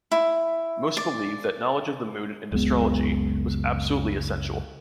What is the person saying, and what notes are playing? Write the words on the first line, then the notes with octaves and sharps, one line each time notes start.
Most believed that knowledge of the moon and astrology was absolutely essential.
E4
D5
F#1 C#2 G#3 B3